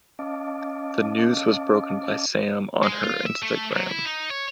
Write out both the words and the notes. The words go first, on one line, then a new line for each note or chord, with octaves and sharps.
This news was broken by Sam on her Instagram.
C#4 D#5 F5 A5 D6
G#3
F4
E5
A3
F#3
E4
D#4
C#5